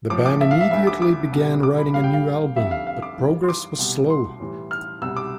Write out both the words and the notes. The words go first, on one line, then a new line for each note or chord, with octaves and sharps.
The band immediately began writing a new album, but progress was slow.
A2 F3 D6
D6
E5
F5
E5
D2 D3 G3 E5
D6
D6
C2 B2 G3
D6
B5
A2 G3 F5
G5
F5
F2 D3 G3 E5
F5
F5
D6
G2 E3 G3
C6
D6
C2 B2 G3
C6
A2 E3 G3
F6
C2 B2 G3 E6
D6